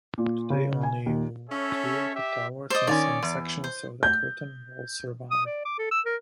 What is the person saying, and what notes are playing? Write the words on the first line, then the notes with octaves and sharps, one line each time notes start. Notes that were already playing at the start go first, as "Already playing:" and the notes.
Today only two of the towers and some sections of the curtain wall survive.
A#2
C#3
G#5
D#2
C#4 A4 C#5 E5
G4 E5
C5 D5 D#5
D#3 A#3 C#4 D5
E2
C5
G6
D#6
D5
D6
A4
E6
A#4